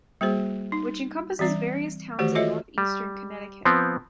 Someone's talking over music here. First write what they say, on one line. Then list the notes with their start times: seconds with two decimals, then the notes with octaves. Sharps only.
Which encompasses various towns in Northeastern Connecticut.
0.21 G3 A#3 F#4 G#4 C5
0.72 D#4
1.39 E3 G3 C4 D5
2.19 D#3 E3 A3 F#4 G4 C5
2.35 F4 F#4 A4 C#5 D#5 E5
2.78 G3
3.65 F3 B3 C4